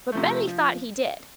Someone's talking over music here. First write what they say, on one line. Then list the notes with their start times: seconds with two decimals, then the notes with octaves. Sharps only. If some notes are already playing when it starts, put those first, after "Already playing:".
But Benny thought he did.
0.12 C3 F3 A3
0.47 F3